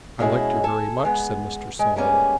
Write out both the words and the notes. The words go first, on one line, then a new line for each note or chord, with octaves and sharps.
"I liked her very much," said Mr. Saul.
B2 G#3 C#4 E4
A4 G#5
G#3 B3
G#3
G3 G#3 A#3 B3 C#4